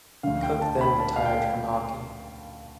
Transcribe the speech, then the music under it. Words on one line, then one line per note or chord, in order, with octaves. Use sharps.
Cook then retired from hockey.
D2 D3 F5
G5
A5
B5
A5
F5
G5